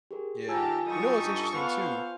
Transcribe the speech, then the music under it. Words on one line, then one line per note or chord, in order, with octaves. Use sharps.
Yeah. You know what's interesting, too
G4 G#4 A#4
D#3 F4 G4 A4 A#4 G#5 A5 E6
F#3 G3 D#4 A4 C#6 D#6
G2
B3 C5 F5